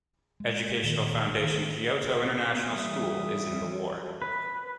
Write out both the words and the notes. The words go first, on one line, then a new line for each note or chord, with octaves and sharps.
Educational Foundation Kyoto International School is in the ward.
G#3
A#2 D#3
D#3
E3 G3 E5 D#6
B4